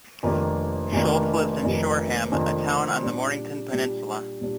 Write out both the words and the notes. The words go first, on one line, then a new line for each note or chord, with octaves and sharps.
Schultz lives in Shoreham, a town on the Mornington Peninsula.
F1 F2 D#3 A#3 D4
F1 F2 D#3 A#3 D4
F1 F2 D#3 A#3 D4
F1 F2 D#3 A#3 D4
A#2 G3 D4 G4
A#2 G3 D4 G4
A#2 G3 D4